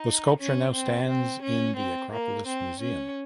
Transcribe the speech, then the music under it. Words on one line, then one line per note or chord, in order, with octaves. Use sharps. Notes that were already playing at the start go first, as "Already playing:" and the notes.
The sculpture now stands in the Akropolis Museum.
Already playing: D#4
C#4
C4
C4
C#4
C4
A#3
C4
C#4